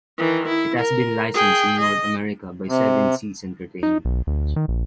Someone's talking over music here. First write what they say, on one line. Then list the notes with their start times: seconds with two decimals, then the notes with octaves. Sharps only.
It has been licensed in North America by Seven Seas Entertainment.
0.18 D#3 E3
0.48 E4
0.79 A#4
1.34 G#4 G5
1.80 D#5
2.68 C3
3.83 D#4
4.05 B1
4.27 D2
4.56 D#3
4.68 A#1